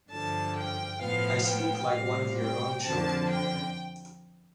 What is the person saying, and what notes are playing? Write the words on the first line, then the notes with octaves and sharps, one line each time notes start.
I speak like one of your own children.
G2 D3 F3 A5
G5
A2 F3 B3 F5
G5
A2 G3 C4 F5
G5
F2 D3 F3 C4 A5
G5